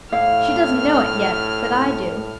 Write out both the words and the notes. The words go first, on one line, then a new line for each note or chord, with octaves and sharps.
She doesn't know it yet; but I do.
A2 E4 F5 F6